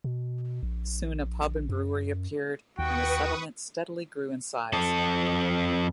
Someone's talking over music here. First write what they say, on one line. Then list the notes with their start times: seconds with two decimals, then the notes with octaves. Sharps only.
Soon a pub and a brewery appeared, and the settlement steadily grew in size.
0.04 B2
0.63 A#1
1.69 F#2
2.79 D#2 F#4 B4 G5 C#6 D#6
4.73 F2 A4